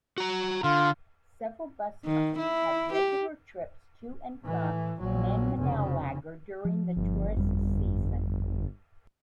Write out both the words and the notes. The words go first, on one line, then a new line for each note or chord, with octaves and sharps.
Several bus companies have regular trips to and from Landmannalaugar during the tourist season.
F#4 A#5
D3 F4
D#3
E4
G4
A2 E3
A#1 F#3
F1 C#3
F3
G1
F2 G3